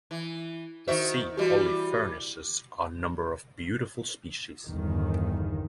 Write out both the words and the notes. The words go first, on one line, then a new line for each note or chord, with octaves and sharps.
The sea holly furnishes a number of beautiful species.
E3
D#3 F#4 C5 D#5 E5
E3 G3 F#4 G4
G1 E2 D#3